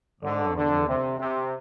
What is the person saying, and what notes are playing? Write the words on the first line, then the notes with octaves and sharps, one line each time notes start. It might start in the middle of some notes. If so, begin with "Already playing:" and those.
Oh, man.
D3
D3
C3
C3